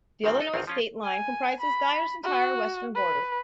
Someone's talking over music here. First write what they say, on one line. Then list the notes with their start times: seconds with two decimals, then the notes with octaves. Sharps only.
The Illinois state line comprises Dyer's entire western border.
0.24 G1 G#2 D#3 C4
0.41 A4 D#5
0.54 A#1 E2 D#3 C4
0.67 F3 C#4 F4
1.04 G#5
1.60 B5
2.24 F#4
2.95 B4